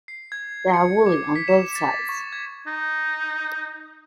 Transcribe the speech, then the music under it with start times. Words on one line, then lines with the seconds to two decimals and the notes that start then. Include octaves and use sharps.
They are wooly on both sides.
0.08 C7
0.32 G#6
0.73 C#7
1.06 D6
1.36 B6
1.48 E7
1.76 A6
2.09 C#6
2.33 G#6
2.67 D#4